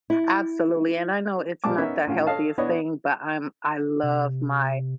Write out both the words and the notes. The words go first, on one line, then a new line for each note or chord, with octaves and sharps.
Absolutely, and I know it's not the healthiest thing, but I'm I love my
E4
A#2 G3 G#3 A5 D6
B3 C#4 D#4 A#4 E5
A2 C#4 F4 F#4
A4 C#5 D#5 F5 A5
B3 D4 E4 C#5 D#5
C3